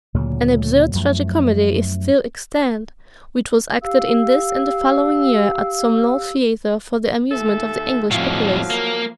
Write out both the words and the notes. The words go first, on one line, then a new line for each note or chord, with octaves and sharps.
An absurd tragicomedy is still extant, which was acted in this and the following year at some low theatre for the amusement of the English populace.
D2 A#2 C#3 F#3
F#2 F3 A3
G4 F5 E6
D#2 A4 E5
F2 A2 F3 F#3 F5
A#3